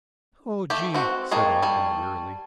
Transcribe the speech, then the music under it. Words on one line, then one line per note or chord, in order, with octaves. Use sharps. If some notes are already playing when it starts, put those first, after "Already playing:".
"Oh, Gee," said Ogden wearily.
A3 G4
C4 F#4
G#3 A#3 G#4 G5 A5 C#6
G3 G#5